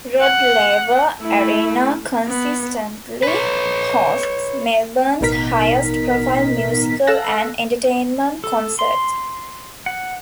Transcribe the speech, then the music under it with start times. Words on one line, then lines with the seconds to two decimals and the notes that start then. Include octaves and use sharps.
Rod Laver Arena consistently hosts Melbourne's highest-profile musical and entertainment concerts.
0.21 F#5
1.22 A3 E4
2.27 B3
3.23 B4 C#5
5.21 A1 B2 B3 D#4 A#4 B6
7.07 A4 F5 A5 E6 F#6 A#6
8.44 A4
8.79 C6
9.86 F#5